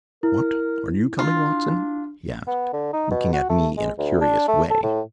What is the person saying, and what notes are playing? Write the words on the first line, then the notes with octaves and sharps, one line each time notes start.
"What, are you coming, Watson?" he asked, looking at me in a curious way.
E4 A#4
D4 F4
B3
D3
D#4
B2
F#4
A3
G#3
D2
D4
A3
A4
A2